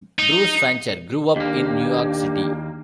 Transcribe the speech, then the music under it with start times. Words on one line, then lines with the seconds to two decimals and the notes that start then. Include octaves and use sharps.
Bruce Fancher grew up in New York City.
0.19 D#4
1.36 D#2 A#3 D4 G4